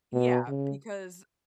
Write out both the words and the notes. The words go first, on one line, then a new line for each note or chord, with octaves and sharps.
Yeah, because
B2
C#3